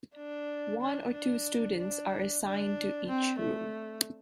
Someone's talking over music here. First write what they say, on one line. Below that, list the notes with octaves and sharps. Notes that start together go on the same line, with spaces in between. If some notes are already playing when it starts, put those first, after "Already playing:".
One or two students are assigned to each room.
D4
D4
D4
D4
D4
C4
A3